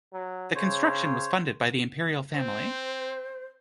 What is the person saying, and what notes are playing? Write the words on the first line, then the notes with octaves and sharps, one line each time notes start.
The construction was funded by the imperial family.
F#3
C#3 C5 C#5
C4 C5